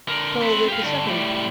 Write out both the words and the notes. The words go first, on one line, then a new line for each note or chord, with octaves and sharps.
So with the second.
D3 A#4
C4 B4
G4 F5
G2 D3
A2 G3